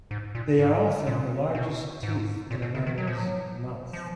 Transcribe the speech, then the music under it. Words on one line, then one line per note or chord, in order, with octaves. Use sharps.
They are often the largest teeth in a mammal's mouth.
G#2
A#2
G#2
A#2
B2
G#2
A#2
B2
C#3
D#3
F#3
F3
F#3
F3